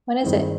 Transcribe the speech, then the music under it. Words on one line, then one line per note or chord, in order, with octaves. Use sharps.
When is it?
G2 D#3 G#3 C4 E4